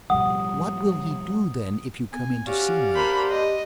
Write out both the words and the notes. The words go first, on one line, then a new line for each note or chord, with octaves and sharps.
"What will he do, then, if you come in to see me?"
A1 B2 F3 G3 F#5 D#6
B3 G#5
C#4 F#4 G4 D5 F5 F#5
A#3 D4 C5 B5 C6
D#5